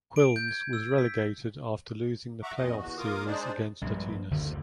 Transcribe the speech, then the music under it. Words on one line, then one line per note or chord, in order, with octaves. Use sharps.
Quilmes was relegated after losing the playoff series against Atenas.
D7
G6
G#6
E6
B6
E5 F#5 A#5 C#6 D6
F2 A#2 D#5
E2 F#4
A#3 F4 A#4 F5 D6 D#6
G#3 D4 D#4 G#4 C5 D5
A#1 G2 G#3
F#1 D2 D3 D#3